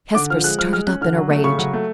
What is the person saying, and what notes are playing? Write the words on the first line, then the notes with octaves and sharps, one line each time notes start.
Hesper started up in a rage.
D3 D6
F3 F6
G#3 F#6
F3 F6
G#3 F6
C#4 F#6
D3 F6
F#3
A3
C#3 C#6
F#3
A3